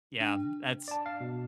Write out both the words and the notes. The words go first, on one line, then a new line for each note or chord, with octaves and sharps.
Yeah, that's
D4
D5 A5
F5
B2